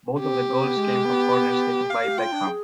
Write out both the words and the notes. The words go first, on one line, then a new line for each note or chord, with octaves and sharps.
Both of the goals came from corners taken by Beckham.
C4 G4
B3
C4
B3
G#3
B3
F5
G4
F4 G5
D4
G#4